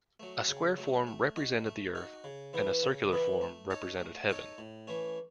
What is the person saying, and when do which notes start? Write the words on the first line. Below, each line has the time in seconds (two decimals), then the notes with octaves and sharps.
A square form represented the earth and a circular form represented heaven.
0.20 F#3 A3
0.48 C#3
0.78 F#3 A3
1.07 A3
1.36 D#4 F#4
1.66 A3
1.95 D#4 F#4
2.24 C#3
2.53 E3 B3 E4
2.83 C#3
3.12 E3 B3 E4
3.41 A3
3.70 D#4 A4 C#5
4.00 A3
4.29 D#4 A4 C#5
4.58 A2
4.87 E3 A3 C#4